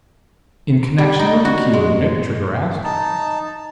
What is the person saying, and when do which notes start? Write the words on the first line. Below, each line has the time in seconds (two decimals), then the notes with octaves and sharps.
"In connection with the key unit?" Trigger asked.
0.98 G3
1.19 D#4
1.45 F#4
1.73 G#3
2.84 D#4 A5